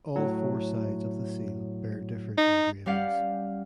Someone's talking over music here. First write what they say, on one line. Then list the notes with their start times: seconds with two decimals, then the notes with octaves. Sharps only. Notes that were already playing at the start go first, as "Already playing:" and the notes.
All four sides of the seal bear different engravings.
0.16 A2 F#3
2.38 D#4
2.86 G3 C#4 G4 D5 F5 F#5